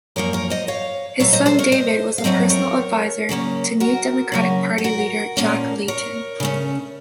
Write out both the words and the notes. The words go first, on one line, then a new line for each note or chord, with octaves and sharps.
His son David was a personal advisor to New Democratic Party leader, Jack Layton.
F#2 F3 A#3 A#4 C#5
A#4 C#5
C5 D#5
C#5 F5
A#2 F#3 A3 C#5 F5
C5 D#5
A4 C5
A#4 C#5
C5 D#5
F5
F2 D#3 F#3 A3 C4 C5 D#5
A#4 C#5
C#3 F#3 A#3 C#4
F#4 A#4
C#3 F#3 A#3 C#4
A4
F#4 A#4
A#2 F3 A#3 C#4
A#4 C#5
C#3 A3 C#4